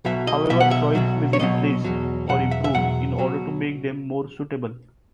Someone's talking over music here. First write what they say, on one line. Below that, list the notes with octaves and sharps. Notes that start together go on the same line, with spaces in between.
However soils may be replaced or improved in order to make them more suitable.
B1 B2 F#3 E5
D#5
B1 B2 F#3 E5
F#5
E5
B1 B2 F#3
C#5
B1 B2 F#3 D#5
E2 B2 F#3
E2 B2 F#3 F#5
E5
E5
E2 B2 F#3 F#5
B2 F#3